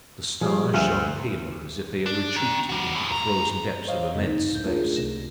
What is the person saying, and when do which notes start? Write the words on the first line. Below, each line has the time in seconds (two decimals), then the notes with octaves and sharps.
The stars shone paler as if they had retreated into the frozen depths of immense space.
0.41 F3 G3 G#4
0.74 D2
2.06 D4
2.36 D#3
2.69 G3 F#4
2.94 E2 A2
3.12 G2 A#5
3.87 C5 C#5 D#5 F5
4.14 F#2 C#3 A#3 C4
4.27 D#4
4.51 D2 A2 D3 G6
4.65 A3 D4 F4 G#4 A#4
4.96 C#2 C3 A#6 E7